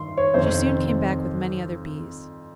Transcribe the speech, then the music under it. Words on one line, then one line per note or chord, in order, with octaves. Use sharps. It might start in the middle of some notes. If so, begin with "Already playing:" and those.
She soon came back with many other Bees.
Already playing: G2 D#3 C6
C#5
F2 C3 D#3 C5